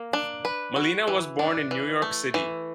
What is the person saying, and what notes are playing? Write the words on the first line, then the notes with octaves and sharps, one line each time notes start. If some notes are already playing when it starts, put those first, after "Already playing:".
Malina was born in New York City.
Already playing: A#3
D4
B4
F#4
E3
D4
E3
A3
E3